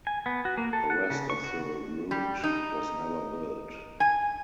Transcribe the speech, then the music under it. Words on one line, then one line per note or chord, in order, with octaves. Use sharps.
The rest of the route was never built.
G#5
B3
F#4
A#3
A4
F#5
C#3
C#6
F#4
G3
D#4
G#5